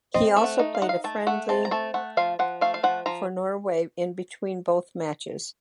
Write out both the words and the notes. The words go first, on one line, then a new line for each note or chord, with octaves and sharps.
He also played a friendly for Norway in between both matches.
C4 D#5
A3
F#5
D#4
F5
D#4 F#5
F5
A3 A5
A3 F#5
C4 A5
A#5
A3 A5
A3 F#5
F3 F5
F3 F#5
A3 F5
F5
F3 F#5
F3 A#5